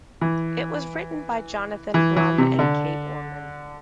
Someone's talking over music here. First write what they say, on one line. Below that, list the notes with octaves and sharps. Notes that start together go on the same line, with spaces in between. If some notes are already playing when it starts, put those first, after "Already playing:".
It was written by Jonathan Blum and Kate Orman.
E3
E3
E3
C3
D3